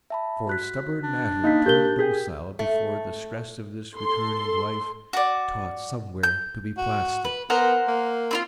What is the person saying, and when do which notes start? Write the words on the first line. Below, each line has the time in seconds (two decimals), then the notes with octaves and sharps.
For stubborn matter turned docile before the stress of this returning life, taught somewhere to be plastic.
0.10 E5 A5 B5
0.47 F#4 F#6 B6
1.04 D4
1.44 A#3 D#4 F5 B6
1.66 G4 A#4 G6 G7
1.99 G#4 G5 G6 B6
2.59 A3
3.96 A4 C6
5.13 F#4 D5
6.23 G6
6.78 F#4
7.25 B4
7.50 B3 A#4 C5 F#5
7.87 A#3
8.31 C4 E4 F4